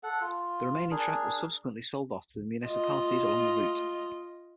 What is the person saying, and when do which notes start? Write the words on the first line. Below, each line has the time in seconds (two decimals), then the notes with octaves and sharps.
The remaining track was subsequently sold off to the municipalities along the route.
0.03 A4 F#5
0.21 F4
0.91 D4 G#4 A#4
2.66 F4 D#5